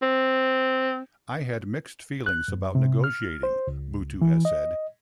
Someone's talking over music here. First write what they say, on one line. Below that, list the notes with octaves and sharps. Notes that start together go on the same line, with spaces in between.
"I had mixed feelings about negotiating," Buttu has said.
C4
F#6
F#2
C3
F6
C5
C#2
E3
D#5